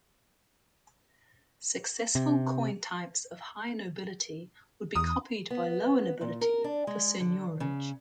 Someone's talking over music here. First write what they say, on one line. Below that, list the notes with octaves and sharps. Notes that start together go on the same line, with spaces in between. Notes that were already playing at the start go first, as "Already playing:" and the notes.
Successful coin types of high nobility would be copied by lower nobility for seigniorage.
C3
E2 D#6
B3
A#2
A#4
D4
G#3
D3
C#3